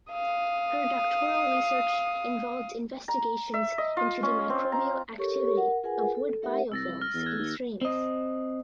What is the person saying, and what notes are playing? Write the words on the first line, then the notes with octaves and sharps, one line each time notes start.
Her doctoral research involved investigations into the microbial activity of wood biofilms in streams.
F5 D#6
A#5
E5
D#5
F4
C#4
C4
A#5
G4 A4 A#4 C#5 C#6
A#4 F#5
F4 G#4 A#4 B4 F#5 G#5
A4
A3 D#4 G4 A#4 E5 F#5
C2 E6 A6 A#6
F6
E2
F#6 G#6
D#2
C4 D#5